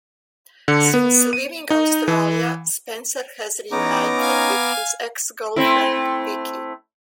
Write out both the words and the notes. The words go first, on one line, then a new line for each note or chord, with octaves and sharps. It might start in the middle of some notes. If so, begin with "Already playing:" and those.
Since living Australia, Spencer has reunited with his ex-girlfriend Vicki.
D3
B3
D#7
D#4
E3
E3 B3 C#4 D#4 A#5 D6
F5 G#5
A3 C4 E4